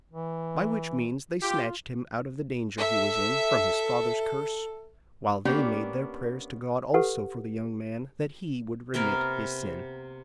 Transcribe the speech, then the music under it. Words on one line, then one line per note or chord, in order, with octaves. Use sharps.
By which means they snatched him out of the danger he was in from his father's curse, while they made their prayers to God also for the young man, that he would remit his sin.
E3
F4 G4
A4 E5
A#3 B3 C#4 D4 G4
G4 A4 B4 F#5
C3 A#3 B3 A#4